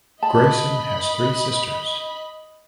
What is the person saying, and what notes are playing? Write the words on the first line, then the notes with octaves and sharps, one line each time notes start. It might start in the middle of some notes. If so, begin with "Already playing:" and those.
Grayson has three sisters.
D#5 A5 B5